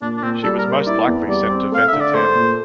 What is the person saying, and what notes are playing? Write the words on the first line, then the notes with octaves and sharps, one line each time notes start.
She was most likely sent to Ventotene.
A#2 D4
D4
A#2 C4
G3 A4
A#4
A#3
C5
E4 D5
E2
G3 D5
C4
A3 F5
D3 E5
D5
A3 C5
A#2